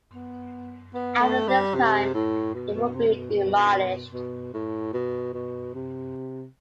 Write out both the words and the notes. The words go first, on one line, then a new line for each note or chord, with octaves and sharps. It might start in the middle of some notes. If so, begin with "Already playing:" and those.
After this time, it would be demolished.
B3
B3
A3
G3
C3
A2
B2
B2
C3
C3
B2
A2
B2
B2
A2
B2
B2
C3